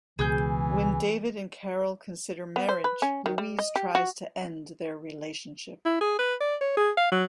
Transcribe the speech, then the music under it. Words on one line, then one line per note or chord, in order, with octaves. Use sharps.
When David and Carol consider marriage, Louise tries to end their relationship.
C#2 B2 E3 G#4 G6
B3
C5
B4
C#4
D#3
G3
D#5
G4
F#4
E4
G#4
B4
D5
C#5
G#4
F5
F#3